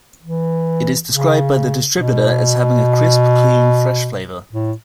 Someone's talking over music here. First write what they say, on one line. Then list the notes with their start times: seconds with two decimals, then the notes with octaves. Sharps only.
It is described by the distributor as having "a crisp, clean, fresh flavour".
0.23 E3
1.08 C#3
1.94 B2
4.53 A2